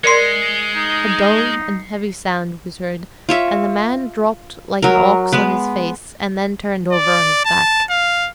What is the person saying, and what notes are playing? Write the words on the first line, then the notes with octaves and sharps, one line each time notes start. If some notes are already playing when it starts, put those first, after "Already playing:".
A dull and heavy sound was heard, and the man dropped like an ox on his face, and then turned over on his back.
G#3 A#4 D5 C6 C7 C#7
D#4
F4 C#5 E5
F#3 A#4
G#3 B3 B4
D5
A5
F5